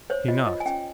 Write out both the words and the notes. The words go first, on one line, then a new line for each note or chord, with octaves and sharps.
He knocked.
C5 C#5
F4 D#5
F4 D#5
G#5
C#4 G5